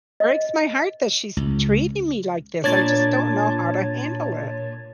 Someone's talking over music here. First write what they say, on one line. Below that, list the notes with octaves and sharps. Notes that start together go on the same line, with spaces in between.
breaks my heart that she's treating me like this, I just don't know how to handle it.
D#5
C#2
A#2 D4 C#5 G#6 A6